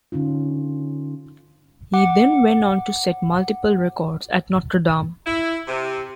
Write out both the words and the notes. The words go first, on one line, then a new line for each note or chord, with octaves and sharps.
He then went on to set multiple records at Notre Dame.
D3 C#4 D#4 F4
F#5 D6
E4
C3